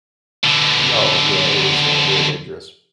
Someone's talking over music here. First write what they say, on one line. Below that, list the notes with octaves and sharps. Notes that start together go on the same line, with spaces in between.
Y oh, yeah, it was, uh, very dangerous.
B2 D3